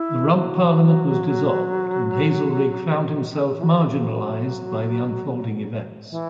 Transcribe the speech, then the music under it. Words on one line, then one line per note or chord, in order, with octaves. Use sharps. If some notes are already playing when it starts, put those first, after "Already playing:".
The Rump Parliament was dissolved and Haselrig found himself marginalised by the unfolding events.
Already playing: E4
F#3
E3
F#3
E3